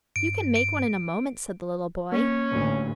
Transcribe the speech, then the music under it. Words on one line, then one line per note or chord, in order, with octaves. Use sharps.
"You can make one in a moment," said the little boy.
G2 D7
D7
A#3 C#4
A1 D2